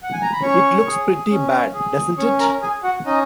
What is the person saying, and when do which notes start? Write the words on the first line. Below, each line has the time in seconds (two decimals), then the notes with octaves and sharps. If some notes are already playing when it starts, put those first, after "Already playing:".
It looks pretty bad, doesn't it?
0.03 F#5
0.13 G#5
0.22 A#5
0.33 B5
0.42 C#4 C#5 C#6
0.86 G#4
1.30 C#4
1.74 G#4
2.18 C#4 C#5 C#6
2.40 A#4 A#5
2.62 G#4 G#5
2.83 F#4 F#5
3.06 C#4 D#4 D#5